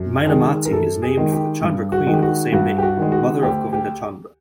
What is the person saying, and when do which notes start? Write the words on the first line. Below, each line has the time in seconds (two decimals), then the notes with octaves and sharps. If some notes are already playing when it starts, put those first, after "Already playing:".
Mainamati is named for the Chandra queen of the same name, mother of Govindachandra.
Already playing: F#2
0.27 D#3 G#3 G#4
0.65 A#4
0.71 F#2 A4
1.02 G#4
1.17 D#3 G#3
1.32 G4
1.62 G2
1.92 F#4
2.07 D#3 G#3
2.13 G4
2.22 F#4
2.52 G2 F#4
2.78 G4
2.83 F#4
2.97 D#3 G#3
3.12 F#4
3.43 D2 G4
3.73 G4